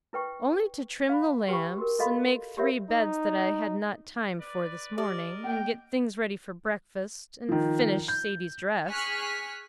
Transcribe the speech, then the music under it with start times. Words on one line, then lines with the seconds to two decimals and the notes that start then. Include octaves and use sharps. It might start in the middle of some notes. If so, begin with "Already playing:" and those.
"Only to trim the lamps, and make three beds that I had not time for this morning, and get things ready for breakfast, and finish Sadie's dress."
0.13 E4 B4 G5 C#6
1.09 F5 B5
1.48 G4 B4 G5 B5 C#6
1.78 F#4 A#4
1.99 F4 A4 D#5 F5 B5 C6
2.57 F4 G4 A#4 C#5 E5 F5
2.89 D#4
4.40 B4 D5
4.98 G4 A#4 D5 D#5
5.44 A#3 G5
7.49 D#3 F3
8.08 G6
8.87 G#4 G#5 C#6 F6 F#6 B6